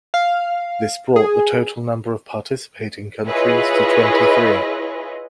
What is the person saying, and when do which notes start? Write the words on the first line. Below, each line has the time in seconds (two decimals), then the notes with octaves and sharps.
This brought the total number of participating countries to twenty-three.
0.14 F5
1.16 G#4
3.26 E4 F4 G#4 B4 C#5 D#5